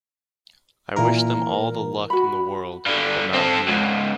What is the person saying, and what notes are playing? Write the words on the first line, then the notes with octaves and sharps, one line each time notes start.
I wish them all the luck in the world, but not here...
A#2 E3 A#4
F#4 B5
G2 D3
C4 A4
C#2 G#2